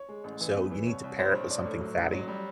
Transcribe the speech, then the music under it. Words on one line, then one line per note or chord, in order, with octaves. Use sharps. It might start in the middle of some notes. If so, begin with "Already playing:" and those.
So, you need to pair it with something fatty
Already playing: C#5
G#3
A1
E3
E2
E3
C2 C#5
C2
G3 C5
A#1 C#5
A#1 D5
A2 C#5
F#3
A1
F#3
G3